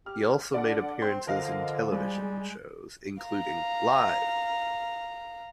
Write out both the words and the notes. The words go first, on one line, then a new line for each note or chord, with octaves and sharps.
He also made appearances in television shows, including Live!
G4 F6
D3 D4 D5 F#5
C4 C6
D3 F3 A#4 D#5 F5
G3 G#3
F5 A#5